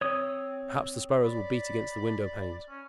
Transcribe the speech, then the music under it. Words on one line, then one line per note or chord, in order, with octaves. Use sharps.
Perhaps the sparrows will beat against the windowpanes!
C4 C#5 D#6
D5 B5
C#4